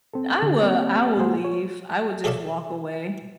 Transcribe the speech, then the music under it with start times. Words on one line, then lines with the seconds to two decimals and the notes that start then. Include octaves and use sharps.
I would I will leave, I would just walk away
0.14 C4 A4
0.39 D3 G#4
0.61 A#3 C4 G4 C#5
1.17 G#3 A#3 F#4 G#4 C5 F#5
1.44 C#5
2.24 G#4 A4 C#5 D5 F5 A5